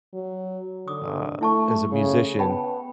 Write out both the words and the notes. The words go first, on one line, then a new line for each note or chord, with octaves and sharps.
uh, as a musician
F#3
D3 D6 D#6
A3 E4 A5 C#6
C#3
B3 G5 A5 B5